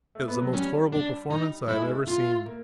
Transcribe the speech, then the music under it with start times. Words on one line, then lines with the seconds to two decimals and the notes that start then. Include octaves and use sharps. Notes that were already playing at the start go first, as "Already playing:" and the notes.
It was the most horrible performance I have ever seen.
0.15 A3
0.28 B3
0.41 F#3
0.54 G3 C#4
0.92 D4
1.30 D#4
1.69 A3 E4
1.78 G#3
1.88 A3
2.07 F4
2.46 A#3